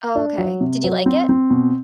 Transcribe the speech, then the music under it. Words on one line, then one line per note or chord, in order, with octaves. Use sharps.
Oh, okay. Did you like it?
D4
F#3
C3
F#3
C4
C4
B2